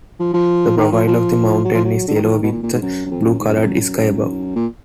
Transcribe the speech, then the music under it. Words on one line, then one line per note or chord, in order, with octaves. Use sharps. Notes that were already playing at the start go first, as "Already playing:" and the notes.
The profile of the mountain is yellow with a blue-colored sky above.
F3
F3
D#3
F3
F3
F#3
F3
F#3
D3
D#3
F3
D#3
B2
A#2
A#2
G#2
F#2
F#2
F2
F#2
G#2
F#2
F2
F#2
F#2
A#2